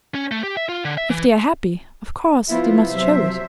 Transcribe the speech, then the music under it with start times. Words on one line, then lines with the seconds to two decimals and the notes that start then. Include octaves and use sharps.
If they are happy, of course they must show it.
0.15 C#4
0.31 A3
0.43 G4
0.57 E5
0.69 F4
0.85 D3
0.97 E5
1.10 E3
2.49 F3 B3 E4 F4
2.85 C3 F3 F#3 C5 E5